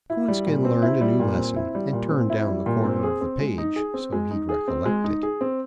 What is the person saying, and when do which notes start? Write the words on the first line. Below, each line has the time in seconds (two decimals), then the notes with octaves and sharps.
Coonskin learned a new lesson, and turned down the corner of the page so he'd recollect it.
0.10 E4
0.28 G3
0.47 A#2
0.65 C4
0.82 E4
1.01 G3
1.20 A#2
1.38 C4
1.56 E4
1.75 G3
1.93 A#2
2.11 C4
2.30 E4
2.47 G3
2.66 A#2
2.84 C4
3.03 G#4
3.21 C4
3.39 G#3
3.58 D#4
3.76 G#4
3.94 C4
4.13 G#3
4.31 D#4
4.49 G#4
4.68 C4
4.86 G#3
5.04 D#4
5.23 G#4
5.41 C4